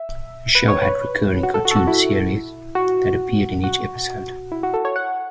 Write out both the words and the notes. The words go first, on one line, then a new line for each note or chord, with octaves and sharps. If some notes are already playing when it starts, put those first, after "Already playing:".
The show had recurring cartoon series that appeared in each episode.
Already playing: E5
B4
C#5
B4
F#4
A4
F#4
A4
F#4
E4
F#4
F#4
E4
F#4
A4
C#5
F#5